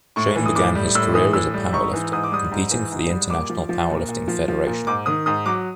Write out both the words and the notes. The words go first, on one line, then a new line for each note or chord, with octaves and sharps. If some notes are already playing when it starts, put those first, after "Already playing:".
Shane began his career as a powerlifter, competing for the International Powerlifting Federation.
A2 C#6
E3
D#6
A2 D6
G3
A2 E6
E3 D#6
A2 E6
G3
G#2 C#6
E3
G#2 D#6
D6
G3 D#6
G#2
E3
G#2
G3
A#2 D6
F3
F3
A#2
A#2
F3
F3
A#2
G#2 D6
D#3 D#6
G#2 D#6
F#3 D6